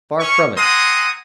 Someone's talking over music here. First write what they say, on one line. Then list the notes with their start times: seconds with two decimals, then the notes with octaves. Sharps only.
Far from it.
0.19 C#4 C#6
0.57 C4 F#5 G#5 A#5 C6 D#6